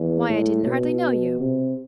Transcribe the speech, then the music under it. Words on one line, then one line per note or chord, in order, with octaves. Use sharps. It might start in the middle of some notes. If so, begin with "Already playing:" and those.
"Why, I didn't hardly know you!"
Already playing: E2
A2
B2
C3